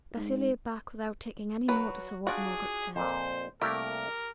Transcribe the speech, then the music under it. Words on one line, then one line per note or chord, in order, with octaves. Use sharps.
Bessy lay back without taking any notice of what Margaret said.
G#2
F#3 F#4 B4
D4 F4 F#4 G#4
F2 A#2 C5
C2 A3 A#3 G4 A#4